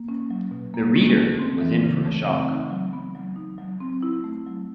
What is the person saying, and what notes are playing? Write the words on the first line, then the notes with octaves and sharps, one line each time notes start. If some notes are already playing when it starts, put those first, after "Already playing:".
The reader was in for a shock.
Already playing: A#3
C#4
F#3
B2
A#3
C#4
A3
C4
E3
C#3
A3
C4
D#4
F#3
B3
F#3
D#4
F#3
C4
E4
A3
F#3